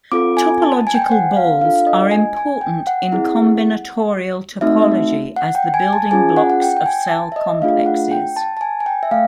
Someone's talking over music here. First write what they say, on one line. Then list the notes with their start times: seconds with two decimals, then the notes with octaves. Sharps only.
Topological -balls are important in combinatorial topology, as the building blocks of cell complexes.
0.12 C4 F4 A4 D6
0.37 G#5
0.62 A5
0.87 G#5
0.94 G5
1.02 G#5
1.12 F#5
1.36 F5
1.61 D4 F4 A4 F5
1.87 D#5
2.11 G#5
2.37 G#5
2.61 G5
2.87 F#5
3.12 C4 E4 G#4
4.61 A3 C4 D#4 F#4 E5
5.36 F#5
5.55 G5
5.74 G#5
5.93 A5
6.11 C#4 F4 G#4 G#5
6.36 F#5
6.50 F#5
6.61 G5
6.77 G5
6.86 G#5
7.11 A5
7.32 E5
7.36 D#5
7.61 A3 D4 F4 G#4 F5
7.86 F#5
8.11 G5
8.36 A5
8.57 A5
8.61 G#5
8.80 G#5
8.86 G5
9.03 E5
9.11 A3 F5